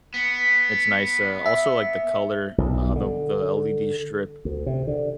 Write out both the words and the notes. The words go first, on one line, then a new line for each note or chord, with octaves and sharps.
it's nice, uh, also like the color, uh, the the LED strip
B3
E5
B1
D3
D2
C3
D3